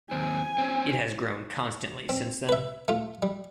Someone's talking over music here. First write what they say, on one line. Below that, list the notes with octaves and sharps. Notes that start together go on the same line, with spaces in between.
It has grown constantly since then.
D#2 C4 G#5
C4 C#4
C4
B4 E5
A3 F4
G3